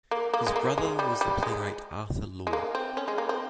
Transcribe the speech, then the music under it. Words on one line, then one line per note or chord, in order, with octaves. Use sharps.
His brother was the playwright Arthur Law.
A#3
A#3
G#3
A#3
G#3
G3
G3
G#3
G#3
A#3
C4
C#4
G#3
A#3
C4